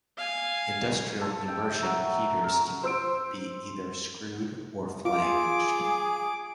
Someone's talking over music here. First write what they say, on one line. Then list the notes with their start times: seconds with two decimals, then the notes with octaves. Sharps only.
Industrial immersion heaters can be either screwed or flanged.
0.17 F5 G#5
1.21 A4
1.48 G5
1.70 E5
1.82 F#3
2.44 A#4
2.84 C5 E6 D7
5.05 F4 G#4 D6